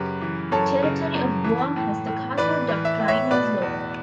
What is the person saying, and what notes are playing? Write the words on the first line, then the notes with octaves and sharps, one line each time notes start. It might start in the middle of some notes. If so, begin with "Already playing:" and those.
Territory of Guam has the Castle doctrine as law.
Already playing: F#2 C#3 G4 B4
E3
F#2 A4 C#5
C#3
F#2
E3
A2
A2
E3 B4 D5
E3
E5
A2
C#5 E5
B2 B4 D5
E2